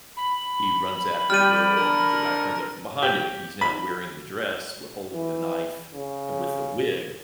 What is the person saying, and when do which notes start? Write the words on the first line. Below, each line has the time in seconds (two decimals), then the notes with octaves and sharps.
he runs after the girl, and the guy comes up from behind him, and he's now wearing the dress, while holding the knife and with the wig,
0.17 B5
1.30 G3 F6 D#7
1.76 D3 A#4
3.02 G4
3.61 B5
5.11 E3
5.95 C#3